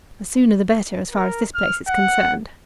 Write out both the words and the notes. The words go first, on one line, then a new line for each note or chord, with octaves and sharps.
"The sooner the better as far as this place is concerned."
A#4
F6
F#5